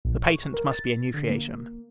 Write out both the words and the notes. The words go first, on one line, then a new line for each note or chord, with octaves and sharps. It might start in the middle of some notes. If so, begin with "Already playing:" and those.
The patent must be a new creation.
A#1
C#6
A#4
A6
D3
A#3